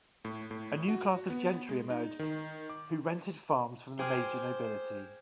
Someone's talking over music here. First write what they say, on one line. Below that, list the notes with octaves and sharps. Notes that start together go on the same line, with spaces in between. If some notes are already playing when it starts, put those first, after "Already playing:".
A new class of gentry emerged who rented farms from the major nobility.
A2
A2
F#4
B3
G#3
D#4
D#3
D6
G#4 C5 G5 D6 F6